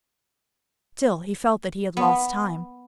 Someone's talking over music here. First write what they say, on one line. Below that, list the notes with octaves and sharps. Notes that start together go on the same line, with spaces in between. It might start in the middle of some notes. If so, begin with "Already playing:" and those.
Still, he felt that he had lost time.
B3